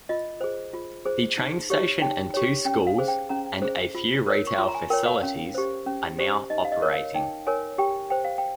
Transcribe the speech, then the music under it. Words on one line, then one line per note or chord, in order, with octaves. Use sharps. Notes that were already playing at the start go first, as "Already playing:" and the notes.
The train station and two schools, and a few retail facilities, are now operating.
F4 D#5
G#4 C5
F4
G#4 C5
D#4
G4 C#5
D#4 G5
G4 C#5
C#4 G5
F5
G#4 C5
G5
C#4 A#5
G#4 C5
F4
A#4 C#5
C#6
F4 C6
A#5
G#5
A#4 C#5 G5
F5
C#4
G4 C5
C#4
G4 C5
D#4 D#5
F5
D#5
A#4 C#5
F5
D#4 G5
A#4 C#5 G#5
G4 G5
C5 G5
F5
G5